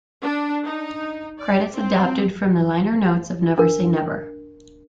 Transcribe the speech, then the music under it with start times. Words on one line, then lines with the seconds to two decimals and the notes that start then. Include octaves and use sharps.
Credits adapted from the liner notes of "Never Say Never".
0.22 D4
0.63 D#4
1.39 D5
1.73 C4
3.58 D4 A#4